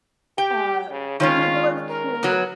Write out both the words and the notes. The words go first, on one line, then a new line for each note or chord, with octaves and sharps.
uh, if my goal is to
G4 G5
C#3
D#3 G#3 C#4 F4
A#4
F#3 B3